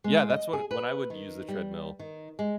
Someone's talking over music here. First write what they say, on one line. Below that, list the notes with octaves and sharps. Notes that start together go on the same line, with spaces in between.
Yeah, that's what when I would use the treadmill,
G#3
D#5
G#4
B4
D#3
G3
D#3
G#3